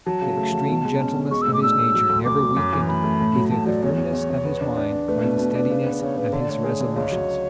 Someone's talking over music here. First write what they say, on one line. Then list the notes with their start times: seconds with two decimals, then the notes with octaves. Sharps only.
The extreme gentleness of his nature never weakened either the firmness of his mind or the steadiness of his resolutions.
0.06 F#3 A5
0.22 C#3
0.37 A3
0.52 F#3
0.69 B2
0.85 G#3
1.00 C#4
1.16 B2
1.31 G#3 C#6
1.42 E6
1.47 A2
1.54 D6
1.63 D4 E6
1.79 A2
1.94 F#3
2.09 D2
2.25 D2 D6
2.41 F#3
2.57 F#2
2.73 E3
2.88 A3 B5
3.04 A3
3.20 A2
3.36 F#3
3.50 F#3 A5
3.66 F#3 D5
3.82 E2 C#5
3.98 E2
4.13 E2
4.30 E2
4.45 B3
4.61 D4
4.77 D4
4.92 D4
5.08 A3 B4
5.24 B2
5.39 B2
5.55 D4
5.70 C#3
5.86 B3
6.02 C#3 C#5
6.17 C#3 B4
6.33 D3 C#5
6.41 D5
6.49 A3 C#5
6.64 G#4
6.80 D3
6.95 C#2 C#5
7.12 F#3